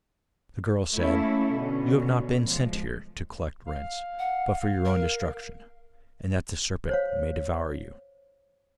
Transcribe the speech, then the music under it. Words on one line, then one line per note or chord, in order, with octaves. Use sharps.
The girl said: 'You have not been sent here to collect rents, but for your own destruction, and that the serpent may devour you.'
A3 A#3 C#4 E4 A4
B2 D3 C#4
F3 G#3
F5
F#5
A#4
C5 C#5 F5